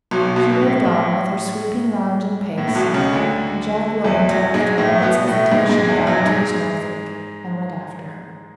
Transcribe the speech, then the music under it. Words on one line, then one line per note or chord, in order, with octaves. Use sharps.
She moved on, with her sweeping, lounging pace, and Jack Wilmington, after a moment's hesitation, bowed to Miss Northwick and went after her.
B1 B2
B1 B2
B2
A2
A2
A2
A2
B1 B2
C#2 C#3
D2 D3
E2 E3
F#2 F#3
G#2 G#3
A2 A3
A3
B2 B3
A2 A3
G#2 G#3
G#2 G#3
E2 E3
F#2 F#3
G#2 G#3